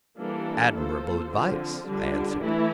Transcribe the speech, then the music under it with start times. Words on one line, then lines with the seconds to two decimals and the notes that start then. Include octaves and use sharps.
"Admirable advice," I answered.
0.19 E3 G3 A#3 D4 A4
0.75 A#3 F4 A4 C5
1.31 D3 F3 C4 F4
1.87 D3 G3 D4 F4
2.42 E3 A3 E4